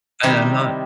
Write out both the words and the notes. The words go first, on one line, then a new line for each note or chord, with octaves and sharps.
And I'm not
C3 D#3 G3 C4 D#4 E4